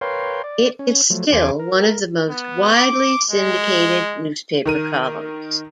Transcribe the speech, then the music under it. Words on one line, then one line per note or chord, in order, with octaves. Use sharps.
It is still one of the most widely syndicated newspaper columns.
A#4 B4 C#5 F5 G5 C6
D5
C#4
F3 F#3 A3
E2 A4 C5 G#5 D6
A#4
B3
D6
G#3
D#3 A#4 D#7